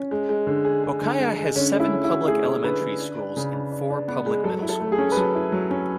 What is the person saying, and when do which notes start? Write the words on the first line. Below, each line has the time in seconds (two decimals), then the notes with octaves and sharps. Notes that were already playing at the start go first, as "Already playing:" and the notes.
Okaya has seven public elementary schools and four public middle schools.
Already playing: C#4
0.11 G#3
0.29 G#3
0.47 D3
0.65 G#4
0.84 G#4
1.01 D3
1.19 G#3
1.38 G#3
1.56 D3 C#4
1.74 A3
1.80 E4
1.92 C#4
2.04 E4
2.10 F#4
2.27 A3 G#4
2.45 C#4
2.63 D3 B4
2.81 D3
3.00 D4
3.18 D4
3.37 C#3
3.54 D4
3.72 D4
3.90 D4
4.08 B3
4.26 G#3
4.44 F#3 A4
4.62 E4
4.69 A4
4.80 A3
4.92 G#4
4.98 C#4
5.12 B4
5.17 F#3 A4
5.35 E4
5.52 F#3
5.71 C#4